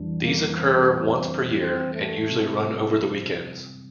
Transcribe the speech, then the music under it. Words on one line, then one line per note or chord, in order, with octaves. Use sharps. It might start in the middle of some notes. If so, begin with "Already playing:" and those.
These occur once per year and usually run over the weekends.
Already playing: F2 E3 G3 D4
A#3
C4
C4
A3
C3 G3 C4
F3